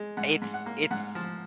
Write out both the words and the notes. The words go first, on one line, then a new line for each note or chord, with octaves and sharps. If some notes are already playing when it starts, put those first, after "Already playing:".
It's it's
Already playing: G#3
G#2 F#5
G#2
F#5
A#3
G#2 F#5
F3